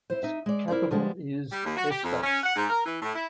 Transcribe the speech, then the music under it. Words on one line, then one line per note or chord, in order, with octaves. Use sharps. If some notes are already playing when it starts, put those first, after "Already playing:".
Its capital is Sfax.
E4 C5
D#4 E5
G#3 D5
E4 A#4 C5 D5
F3 G3 G#3 B3
G3
D#2
F#4
G4
F2
C#4
F#5
G#2
A#4
E3
A2
E4